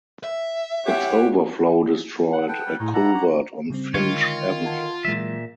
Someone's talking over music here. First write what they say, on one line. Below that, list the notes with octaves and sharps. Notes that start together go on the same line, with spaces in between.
Its overflow destroyed a culvert on Finch Avenue.
E5
E3 G4 C#5 F#5
F#5
A4 B4 F#5 G5
G3
A2 G#3 D#4 C#5
E4 A4 D5 F#5 A#5
G4 C#5
C#3 G3 C4
D3 D#3 G#3 F4 C#5
F#5 A5 G#6
A#2 E3 F#3 G#3 E5